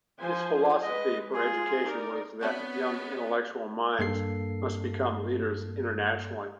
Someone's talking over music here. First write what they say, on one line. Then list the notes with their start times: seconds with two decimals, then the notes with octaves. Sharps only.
His philosophy for education was that young intellectual minds must become leaders internationally.
0.20 F3 C5 G#5
0.82 G#3 B4 D#5
1.33 F4 G#4
1.82 D#4 A#4 D5
2.41 D3 B3 C4 D4 F#4 C#5
3.99 G2 A#3 A4 C7